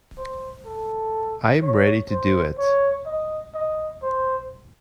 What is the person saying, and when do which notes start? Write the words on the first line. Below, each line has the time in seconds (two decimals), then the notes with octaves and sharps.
I am ready to do it.
0.18 C5
0.66 A4
1.62 C#5
2.10 C5
2.59 C#5
3.06 D#5
3.54 D#5
4.03 C5